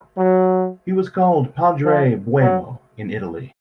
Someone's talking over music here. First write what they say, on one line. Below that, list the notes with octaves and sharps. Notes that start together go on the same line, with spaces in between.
He was called "Padre Boemo" in Italy.
F#3
F3
F#3